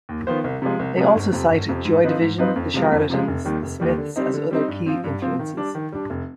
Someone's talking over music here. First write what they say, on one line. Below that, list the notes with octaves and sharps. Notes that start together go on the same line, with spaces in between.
They also cite Joy Division, The Charlatans, The Smiths as other key influences.
D#2
D#3 B3 F4 C5
C2
C3 F3 G#3
C2
C3 F3 G#3
G1
F2 C3
G1
F2 C3
G#2
F3 C4 D#4 B4
G#2
F3 C4 D#4 B4
F2
C3 F3 G#3
F2
C3 F3 G#3
F1
D#2 D#3 G3
F1
D#2 D#3 G3
D3
G3 C4 D#4
D3
G3 C4 D#4
G2
F3 C4
G2
F3 C4
D#3
G3 D4
D#3
G3 D4
F1